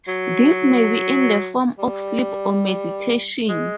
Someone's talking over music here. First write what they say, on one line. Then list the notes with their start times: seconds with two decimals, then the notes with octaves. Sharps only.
This may be in the form of sleep or meditation.
0.08 F#3
1.78 G3
3.49 G#3